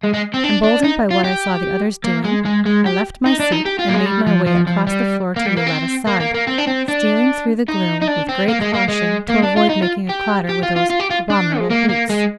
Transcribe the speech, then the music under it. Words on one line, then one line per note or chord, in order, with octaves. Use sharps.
Emboldened by what I saw the others doing, I left my seat and made my way across the floor to Yoletta's side, stealing through the gloom with great caution to avoid making a clatter with those abominable boots.
G#3
G#3
C4
D4
D4
D#4
F4
G4
A#3
G#3
G#3
G#3
G4
D#4
D4
D#4
G4
F4
A#3
G#3
G3
F3
F3
F3
G3
A#3
G3
A#3
C4
A#3
A#3
A#3
C4
D4
C4
D4
D#4
D#4
D4
C4
A#3
G#3
A#3
G#3
A#3
D4
F4
D#4
F4
G4
G4
F4
F4
F4
G4
F4
D4
G#3
A#3
A#3
G#3